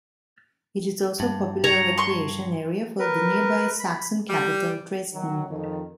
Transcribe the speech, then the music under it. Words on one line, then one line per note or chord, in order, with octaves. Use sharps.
It is also a popular recreation area for the nearby Saxon capital Dresden.
G2
C#5 A#5
C6 C#6
A#4 B4
B5
G3
D#3 F#3
F2 D#3